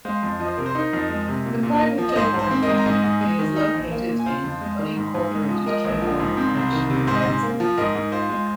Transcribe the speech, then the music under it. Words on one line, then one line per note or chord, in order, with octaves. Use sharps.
The private Claiborne Academy is located in unincorporated Claiborne Parish, near Haynesville.
G#3 C5 F5
F2
F3 D#5
C5
C3 A#4
C5
D#4 A#4
F2
G#3
C3
A#2
A#2
A#3
F3
D#5
G#2 C5
G#2
C5
C4
A#4 D#5
G#3
A#5
G#2 D#5 G#5
G#2
G#3
D#3
D#4
A#1
A#3
A#2
G#5
F4 C5 F5
F2
G#3
D#3
G#2
G#2
G#3
F3
G#3 A#4 D#5
A#1
F3
G#2
C4
C2
D#3
C3
G#2 C5
D#5
G#2 C5
A#3
F3
G#2 A#4 D#5
G#2
F4 C5
G#3